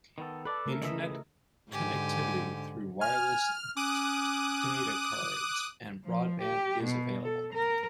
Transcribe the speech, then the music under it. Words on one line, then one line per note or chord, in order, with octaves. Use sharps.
Internet connectivity through wireless datacards and Broadband is available.
D#3 B3 A4
A4 B4 D5
C#3 A3 A#4
C#2 E3 D#5 E5
G#2 D3 G4 G#5
G#5 F6
C#4 D6 D#6 F#6
F3
G4
B2
A4
A#4